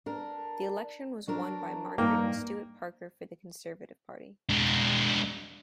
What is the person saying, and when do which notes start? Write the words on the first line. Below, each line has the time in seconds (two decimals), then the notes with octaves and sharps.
The election was won by Margaret and Stuart Parker for the Conservative Party.
0.06 D4 A#4
1.28 F#3 D4 A#4
1.98 G2 A#3 D#4 G5
4.49 G#3 D4